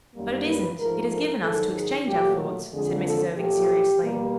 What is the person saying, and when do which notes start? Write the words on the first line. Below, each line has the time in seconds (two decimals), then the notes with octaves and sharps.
"But it isn't--it is given us to exchange our thoughts," said Mrs. Irving seriously.
0.15 F#2 D#3 G3 A#3
0.46 B4
0.78 G#2 F3 A3 A#4
1.11 A#4
1.43 G#2 D#3 F#3 A4
1.75 G#4
2.07 A#2 F#3 A3 G4
2.72 F2 D3 F3 G#3 G#4
3.04 A4
3.36 A#2 F#3 A3 G4
4.01 B2 G3 A#3